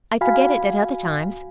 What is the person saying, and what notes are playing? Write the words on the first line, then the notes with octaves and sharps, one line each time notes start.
I forget it at other times.
F#4 F5 G#5 B5